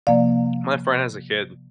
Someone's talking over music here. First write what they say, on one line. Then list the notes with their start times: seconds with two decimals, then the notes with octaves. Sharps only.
My friend has a kid,
0.07 C3 F3 A#3 D5 F5